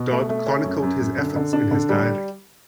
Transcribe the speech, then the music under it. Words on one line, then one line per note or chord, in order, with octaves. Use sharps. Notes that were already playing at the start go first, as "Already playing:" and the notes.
Dodd chronicled his efforts in his diary.
Already playing: B2
A3
A3
C#4
F#2
F#2
F#2
D3
D3
D4
D3
G3